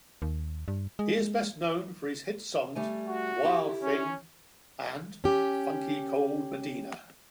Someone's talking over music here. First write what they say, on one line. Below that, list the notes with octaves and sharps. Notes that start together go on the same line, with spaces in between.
He is best known for his hit songs "Wild Thing" and "Funky Cold Medina".
D#2
G2
G#3
G3 A3 G#5
F#4
E4 G4
C#4
C#4 G4